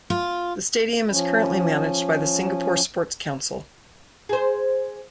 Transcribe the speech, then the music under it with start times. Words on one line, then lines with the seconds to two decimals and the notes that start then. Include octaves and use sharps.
The stadium is currently managed by the Singapore Sports Council.
0.10 F4
1.11 F3 C#4
4.29 G#4 C5